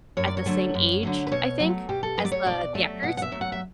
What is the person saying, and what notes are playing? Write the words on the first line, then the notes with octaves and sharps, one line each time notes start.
at the same age, I think, as the the actors,
F#2 C#5
D5
C#5
D3 F#3 A3
F#2
D3 F#3 A3
B4
B2 C#5
F#3 A3
B2 G4
A4
F#3 A3 B4 D5
C#5
B2 D5
F#3 A3 E5
B2 F#5
F#5
E5
F#3 A3
F#5
E5